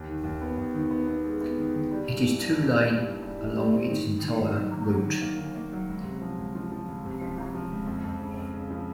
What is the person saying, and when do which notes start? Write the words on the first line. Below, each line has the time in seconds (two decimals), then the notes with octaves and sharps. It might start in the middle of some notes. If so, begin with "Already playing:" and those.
It is two-lane along its entire route.
Already playing: D#2
0.09 D#3
0.24 D#2
0.41 B3
0.58 D#2
0.74 D#3
0.91 B3
1.07 B3
1.24 G#3
1.41 B3
1.58 D#3
1.74 D#3
1.91 G3
2.07 G2
2.23 E3
2.40 G2
2.57 E3
2.74 G3
2.90 G3
3.06 G2
3.23 G3
3.39 E3
3.56 G3
3.73 C4
3.89 D#3
4.06 D#3
4.22 D#3
4.40 D#3
4.56 F#3
4.72 D#3
4.89 F#3
5.06 D#3
5.22 A#3
5.39 D#3
5.56 A#3
5.72 F#3
5.89 C#2
6.05 C3
6.22 F3
6.38 C#2
6.55 F3
6.72 F3
6.88 C#2
7.05 C3
7.21 F3
7.38 F3
7.54 F3
7.71 C#2
7.87 F2
8.04 F2
8.21 C#3
8.37 F2
8.54 C#3
8.70 F3